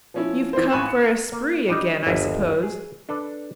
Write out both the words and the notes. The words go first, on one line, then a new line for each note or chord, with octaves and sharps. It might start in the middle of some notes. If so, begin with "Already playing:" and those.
You've come for a spree again, I suppose?
F3 C#4 E4
E3 C4 E4 C5
A1 G#5 B5 C#6 F#6 E7
C#7
A#3
G3 D4 D#4
G1 D#2 E5
G#4
D4 A4 B4